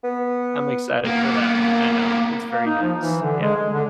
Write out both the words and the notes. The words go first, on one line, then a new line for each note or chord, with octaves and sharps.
I'm excited for that. I know, it's very nice, yeah,
B3
A#3 B3
A#3
D#4
F3
E3
D3
G#3
G#3
D3